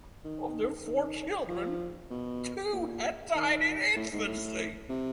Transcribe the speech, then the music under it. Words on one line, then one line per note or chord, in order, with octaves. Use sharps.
Of their four children, two had died in infancy.
D#3
D#3
F3
B2
A#2
D#3
A2
G#2
A2
C3